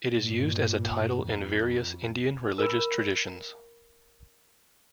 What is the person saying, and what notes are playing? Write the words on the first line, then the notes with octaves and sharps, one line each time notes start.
It is used as a title in various Indian religious traditions.
G2 A#2
F2
A#4 B5